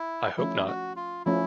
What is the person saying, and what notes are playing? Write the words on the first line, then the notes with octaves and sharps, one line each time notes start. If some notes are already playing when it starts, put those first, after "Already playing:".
I hope not.
Already playing: E4
F3 A3 C#4 E4
F#4
F4
F3 A3 C#4 E4